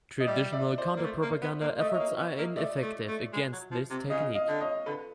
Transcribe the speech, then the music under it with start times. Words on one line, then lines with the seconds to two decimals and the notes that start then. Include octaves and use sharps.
Traditional counterpropaganda efforts are ineffective against this technique.
0.20 D#5
0.27 G3 D5 E5
0.53 D5 E5
0.78 C5 D5
0.97 A#3
1.04 A3
1.22 A#3
1.42 B3
1.61 A#3
1.80 A3 D#5
1.87 E5
1.94 C#5 D#5
2.00 A#3
2.18 B3
2.38 A#3
2.56 A3 D5 E5
2.82 A3
3.08 A3
3.33 G#3
3.52 F#3
3.71 F3
3.90 C3
4.10 C#3 D#5 F5
4.35 D#5 F5
4.48 D3
4.61 C#5 D#5
4.86 D3 A4 B4